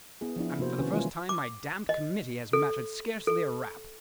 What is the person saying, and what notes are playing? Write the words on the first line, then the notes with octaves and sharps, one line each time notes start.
"And for the first time my damned Committee has mattered scarcely a rap."
B3 E4 G#4
F3 B3 D4 E4
C3 A#3 F#4 C5
D#3 C#4 B4
E3 G3 G#3 A#3 E4 F4
D6
D#5
A4
A4